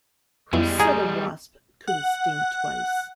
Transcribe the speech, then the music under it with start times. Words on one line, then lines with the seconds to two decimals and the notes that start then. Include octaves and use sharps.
Who said a wasp couldn't sting twice?
0.53 F2 C#3 G3 G#3 B3 E4
0.79 G#4 G#5 A#5
1.87 F#5